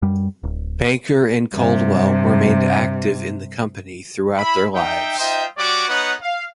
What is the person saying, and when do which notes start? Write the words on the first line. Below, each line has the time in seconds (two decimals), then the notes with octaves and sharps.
Banker and Coldwell remained active in the company throughout their lives.
0.02 F#2 G3
0.44 D1
1.53 G2 C3
4.37 E4 B5
4.74 D#4 E5 G5
5.18 D#4 F4 C5 D#5 E5 G5
5.57 G3 F#4 C#5 D5 F#5 D6
5.88 B3 D#4 B4 C#5 F#5
6.21 F5